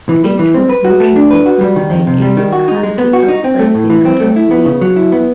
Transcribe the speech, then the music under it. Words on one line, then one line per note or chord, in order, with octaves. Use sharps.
It was not recognized by any country outside the Arab League.
E3
G3
E3
C4
B4
F#4
A3
D4
B4
F#4
G3
D#3
F2
C3
G3
D#3
F#4
D#4
G#3
B3
F#4
D#4
C4
A3
A2
E3
C4
A3
E4
B3
C#3
F#3
E4
B3